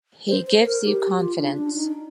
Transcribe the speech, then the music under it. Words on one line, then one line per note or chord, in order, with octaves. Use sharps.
He gives you confidence.
C5
C5
A#4
G4
G4
F4
D4
D4
D#4